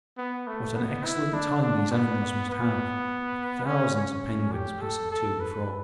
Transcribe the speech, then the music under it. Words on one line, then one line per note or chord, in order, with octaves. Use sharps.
What an excellent time these animals must have with thousands of penguins passing to and fro!
B3
A3
B3
E4
D4
D4
B3
B3
C#4
C#4
G4
A4
A4
B4